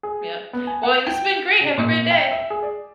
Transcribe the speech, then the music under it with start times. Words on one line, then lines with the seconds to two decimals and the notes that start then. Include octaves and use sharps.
Yep. Well, it this been great, have a great day.
0.03 G#4
0.53 B3
0.67 G#5
0.83 F#5
1.07 G5
1.61 C#3
1.78 A#2
2.11 G5
2.31 E5
2.50 G#4
2.63 D5